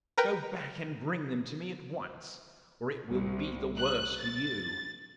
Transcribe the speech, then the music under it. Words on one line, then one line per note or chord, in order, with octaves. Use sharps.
Go back and bring them to me at once, or it will be the worse for you.'
A#4 B4 G5
C2
F#6
A6